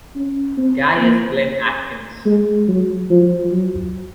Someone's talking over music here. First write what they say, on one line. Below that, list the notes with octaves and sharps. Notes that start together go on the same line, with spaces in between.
Gaius Glenn Atkins.
C#4
C4
A#3
G#3
F#3
F3
F#3